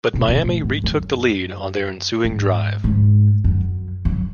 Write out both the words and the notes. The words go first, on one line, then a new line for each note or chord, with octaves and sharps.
But Miami retook the lead on their ensuing drive.
B2
B2
A2
G#2
F#2
G#2
G#2
F#2
F#2